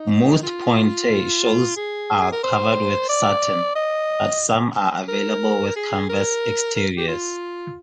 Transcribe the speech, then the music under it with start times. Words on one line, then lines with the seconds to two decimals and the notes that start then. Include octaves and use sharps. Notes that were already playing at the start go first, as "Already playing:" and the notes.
Most pointe shoes are covered with satin, but some are available with canvas exteriors.
Already playing: D#4
0.43 F4
1.76 G#4
2.21 G#4
2.32 A#4
2.43 C5
3.09 D5
3.75 D#5
5.08 A#4
5.76 G#4
6.09 A#4
6.75 A#4
6.97 G4
7.08 F4